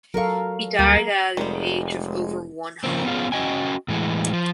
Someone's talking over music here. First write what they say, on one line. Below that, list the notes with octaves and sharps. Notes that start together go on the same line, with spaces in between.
He died at an age of over one hundred.
F#3 A4 A#4 F5 C#6
D2 G3 A#3 A6
F1 D#3 G3 G#3
C#3 F3 A#3 C4
B3 C#4 F4 G#4 F5
C#4 F#4 D#5 G5 G#5
A2 E3 G#3
F3